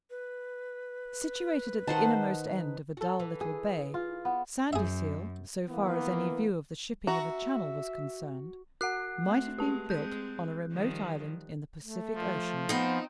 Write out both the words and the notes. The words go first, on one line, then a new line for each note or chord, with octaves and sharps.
Situated at the innermost end of a dull little bay, Sandyseal--so far as any view of the shipping in the Channel was concerned--might have been built on a remote island in the Pacific Ocean.
B4
D#3 C5 F#5 A5
F#4 A4
E3
G#4
F4
B3
F#2 G#4 E5
E3 A#3 B3
F#4 E5 A#5
F#4 F#5 F#6 C7
A3 C4
G#3 G4 A5
G#3 C4 G6
D#3 F3 G3
A3
F3
B3 C4 D#4